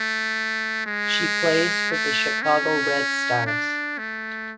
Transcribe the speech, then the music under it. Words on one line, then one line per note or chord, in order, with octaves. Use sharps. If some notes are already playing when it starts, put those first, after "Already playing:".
She plays for the Chicago Red Stars.
Already playing: A3
G#3
A3
C#4
D4
A3